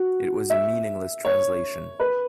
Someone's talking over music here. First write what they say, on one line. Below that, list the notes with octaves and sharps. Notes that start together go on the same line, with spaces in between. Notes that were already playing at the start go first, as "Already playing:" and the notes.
It was a meaningless translation.
Already playing: F#4
E5
C#5
B4